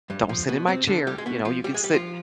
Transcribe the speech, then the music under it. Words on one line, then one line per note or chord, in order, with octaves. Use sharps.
"Don't sit in my chair." You know, "You can sit"
G2 G3
F3
B2 B3
C3 C4
D3 D4
G3 G4
G#3
B2 B3
F3 F4
G3 G4
G#3 G#4
G3 G4
F3 F4